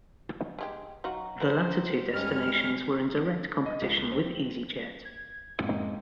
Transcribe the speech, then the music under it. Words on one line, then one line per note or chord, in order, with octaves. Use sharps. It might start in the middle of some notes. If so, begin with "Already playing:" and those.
The latter two destinations were in direct competition with EasyJet.
G3 G#3 G4
F#3 D#4 F4 F#4
B4 C5
F#2 G3 G#3 C#4 F6
D#5
C#2
C4
G#6
F#2 A2 G#3 A#3 C4